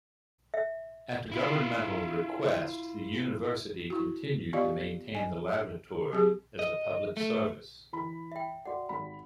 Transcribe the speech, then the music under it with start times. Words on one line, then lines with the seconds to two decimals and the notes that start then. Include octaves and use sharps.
At governmental request, the University continued to maintain the Laboratory as a public service.
0.54 E5
1.32 E4 F4
3.90 E4 F#4
4.53 B3 F4 G4 D5 D#5 F5
5.15 D#5 G#5
6.12 F#3 C4 G4 G#4
6.59 D#5
7.17 A3
7.93 E3 B5
8.32 E5 G5
8.65 F#4 D5 F#5
8.89 G#1 B5